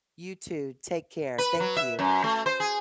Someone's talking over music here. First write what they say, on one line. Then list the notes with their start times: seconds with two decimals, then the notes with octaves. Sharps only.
You too. Take care. Thank you.
1.38 B4
1.60 F#3
1.77 E5
1.99 F#2
2.24 A3
2.46 C5
2.60 G#4